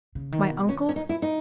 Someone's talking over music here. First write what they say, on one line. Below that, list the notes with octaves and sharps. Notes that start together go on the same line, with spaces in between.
My uncle?
C#3
D#3
B2
A#2 C#4
C#4
D#4
E4
D#4